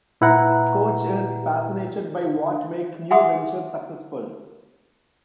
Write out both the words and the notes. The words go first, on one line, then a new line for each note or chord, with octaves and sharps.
Koch is fascinated by what makes new ventures successful.
A#2 E4 B4 F#5 A#5
E5 F#5 G#5 C6 D6 D#6